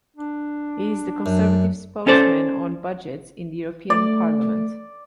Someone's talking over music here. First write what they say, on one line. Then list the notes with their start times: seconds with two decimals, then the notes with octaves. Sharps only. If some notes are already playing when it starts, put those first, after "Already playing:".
He is the Conservative Spokesman on budgets in the European Parliament.
0.17 D4
1.26 F#2
2.07 C#4 A4 C5 D5
3.90 A3 D5